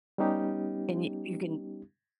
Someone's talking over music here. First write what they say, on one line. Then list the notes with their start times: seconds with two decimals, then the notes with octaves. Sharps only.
and you you can
0.18 G3 B3 C#4 D#4 G4